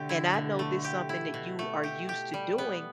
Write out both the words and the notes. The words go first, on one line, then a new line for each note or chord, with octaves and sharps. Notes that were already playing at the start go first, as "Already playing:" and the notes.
and I know this something that you are used to doing
Already playing: B2 D3 A3 G4
E4
B2
A3
G4
E4
B2
A3
G4
G4
G3
B3